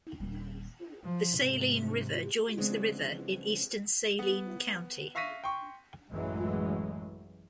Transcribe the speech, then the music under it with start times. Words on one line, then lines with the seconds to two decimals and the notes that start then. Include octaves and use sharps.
The Saline River joins the river in eastern Saline County.
0.20 D#1 G3
1.04 F3
1.39 G#2 C3
2.57 C#3 F3 G#3 B3 C4 D4
4.19 B3
5.15 E5 F5 C#6 A#6 B6 D#7
5.44 G5 C6 C#6
6.11 A1 F#2 E3 F#3 G#3 A3